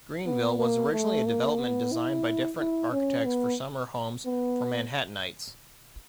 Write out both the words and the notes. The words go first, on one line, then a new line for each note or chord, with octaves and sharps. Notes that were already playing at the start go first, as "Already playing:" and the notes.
Greenville was originally a development designed by different architects for summer homes for Manhattanites.
B3
A#3
A3
A#3
B3
E4
E4
C#4
B3
B3